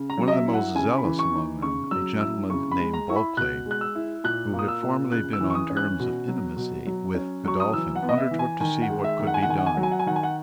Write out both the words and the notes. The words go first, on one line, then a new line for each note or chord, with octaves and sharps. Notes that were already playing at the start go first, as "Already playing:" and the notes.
One of the most zealous among them, a gentleman named Bulkeley, who had formerly been on terms of intimacy with Godolphin, undertook to see what could be done.
Already playing: C#3
A#5
F#3
D#5
E5
E4
F#5
C#3 G#5
B5
E3
C#6
D#4
C#3 C#6
F#3 E6
E4 E6
C#3 C#6
B5
G#3
A#5
E4 C#6
B5
B2 F#6
G#3 F#6
E6
E4
A#2 F#6
A#3
D#6
E6
A#2
C#3 F#6
E6
E3
C#6
D#6
C#4
F#6
B2
F#3
B2
F#3
C#4
F#3 C#6
D#6
E3 E6
F#5
B3
D#5
E5
E3
G#5
D#3 G#5
F#5
G#3
E5
D#3
F#5
G#5
F#5
D#3 G#5
F#5
G#5
F#3 F#5
G#5
F#5
G#5
D#3 F#5
G#5
F#5